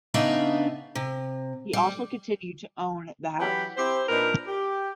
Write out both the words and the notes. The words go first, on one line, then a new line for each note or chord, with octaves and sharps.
He also continued to own the house.
C#3 B3 D4 D#4 E5 F5
C3
G3
E3 F#3 C#4 G4 F#5 B5
C4 E4 G4 C5
A#2 D4 D#4 A#4 B4
G4